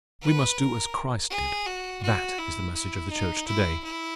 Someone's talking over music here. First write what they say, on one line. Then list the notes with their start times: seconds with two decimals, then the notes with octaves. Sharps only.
We must do as Christ did; that is the message of the Church today.
0.22 B4
0.58 A#4
1.30 G#4
1.66 F#4
2.02 F#4
2.39 E4
2.74 E4
3.11 D#4
3.47 E4
3.84 E4